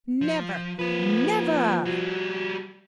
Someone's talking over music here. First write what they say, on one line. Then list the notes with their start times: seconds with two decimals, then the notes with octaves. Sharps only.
Never, NEVER!'
0.21 F3
0.79 F3 A#3 B4
1.85 G3 F#4